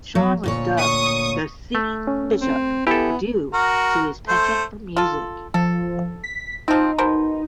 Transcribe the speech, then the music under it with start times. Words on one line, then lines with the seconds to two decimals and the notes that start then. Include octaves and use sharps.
Chan was dubbed "The Singing Bishop" due to his penchant for music.
0.15 F#3
0.43 D2 A#2 C#5
0.77 C#6 D#6
1.75 A3
2.07 C#4
2.41 C4
2.87 B3 E4 G4 A4 E5 G#5
3.54 F#4 A#4
4.28 A3 C5
4.96 F4 A4
5.54 F3 A4
6.24 B6
6.68 F3 C4 D#4
6.98 B2 A#4 C5